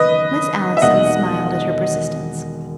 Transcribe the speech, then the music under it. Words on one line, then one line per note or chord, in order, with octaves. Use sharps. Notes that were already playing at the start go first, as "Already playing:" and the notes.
Miss Allison smiled at her persistence.
Already playing: F#1 E2 D#3 B4 D#5
E5
E1 D#2 D#3 D#5 F#5